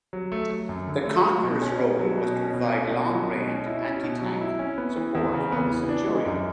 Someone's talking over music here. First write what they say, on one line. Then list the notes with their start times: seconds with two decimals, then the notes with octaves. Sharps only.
The Conqueror's role was to provide long range anti-tank support for the Centurion.
0.13 F#3
0.32 A3
0.49 F#3
0.69 F#2
0.87 D3
1.05 A3
1.24 F#3
1.43 B2
1.62 C#4
1.80 B2
1.99 F#3
2.18 B2
2.36 C#4
2.54 B2
2.73 C#4
2.91 B2
3.10 F#3
3.29 B2
3.48 C#4
3.67 E4
3.84 C#4
4.03 B2
4.22 F#3
4.41 E4
4.59 C#4
4.78 B3
4.97 E3
5.15 E2
5.34 C#3
5.52 B3
5.70 E3
5.89 D4
6.08 G#3
6.26 F#2